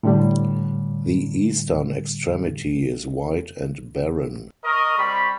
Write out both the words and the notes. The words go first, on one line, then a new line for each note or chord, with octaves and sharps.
The eastern extremity is white and barren.
A2 D3 G3
A#4 D#5 C#6
G3 C4 B5